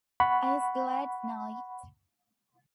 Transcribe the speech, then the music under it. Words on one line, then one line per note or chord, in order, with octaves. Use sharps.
I was glad to know it.
F#5 B5 C#6